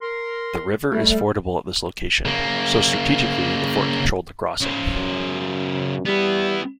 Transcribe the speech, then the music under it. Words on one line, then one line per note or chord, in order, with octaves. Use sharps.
The river is fordable at this location, so strategically the fort controlled the crossing.
A#4 C6
G3 A3
C#3 A#3
C#3 C5
F#2
G3 B3 E4